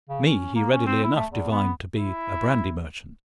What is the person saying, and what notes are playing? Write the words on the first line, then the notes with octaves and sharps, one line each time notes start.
Me he readily enough divined to be a brandy merchant.
C#3
C#4
A#3
C#4
C4
E4
A3
E2
B3
E4